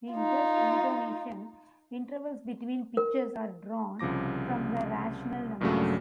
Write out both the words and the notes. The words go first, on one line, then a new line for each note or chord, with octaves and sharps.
In just intonation, intervals between pitches are drawn from the rational numbers.
D#4 F4
A#4
C2 C#3 F3 D6 A#6
A#1 G2 A#2 C#3 F#3 A3